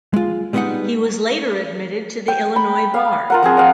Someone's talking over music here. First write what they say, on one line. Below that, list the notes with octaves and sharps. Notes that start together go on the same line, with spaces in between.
He was later admitted to the Illinois bar.
G#3 F4
G3 G#3 B3 C#4 D#4 F#5
G5
B5
F5
F4 A#4 F#5
F3 C4 G#4
F5 F#5 D#6